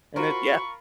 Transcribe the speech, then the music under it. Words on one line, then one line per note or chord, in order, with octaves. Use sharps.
and it yeah.
F4 F#4 A#4 C5 B5 C#6